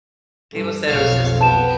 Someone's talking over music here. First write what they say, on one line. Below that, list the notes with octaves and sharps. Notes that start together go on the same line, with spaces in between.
People said it was just too
G2 A4
B1 F2 C#5 F5
B3 B4 G5 A5 E7